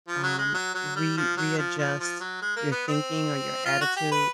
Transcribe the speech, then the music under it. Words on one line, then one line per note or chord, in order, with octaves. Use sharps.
um, re readjust your thinking or your attitude.
F3
F#3
G#3
F#3
F#3
G3
F3
F#3
F3
F3
F3
F#3
G#3
A#3
B3
C4
F4
F#4
G4
B4